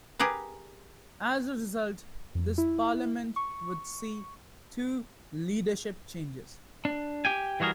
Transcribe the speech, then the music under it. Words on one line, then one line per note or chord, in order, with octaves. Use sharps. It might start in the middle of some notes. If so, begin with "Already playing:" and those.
As a result, this Parliament would see two leadership changes.
G4 G#4 A#4 B4
F2
E4
C#6
D4
G4 G5 G#5
E3 G3 F#4 G#4 A#4